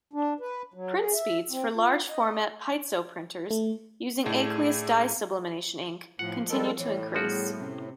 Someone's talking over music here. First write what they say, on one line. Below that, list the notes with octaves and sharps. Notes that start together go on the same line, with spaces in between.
Print speeds for large-format piezo printers using aqueous dye sublimation ink continue to increase.
D4
B4
F#3
G#4
E5
C4
F4
D#5
A3
A2 A3 D4 G#4
A2 F3 F4 F#5
G3 G#3 A4 A#4
A2 E3 C#5
F3 G3 B3 F#4 G#4
C3 C#4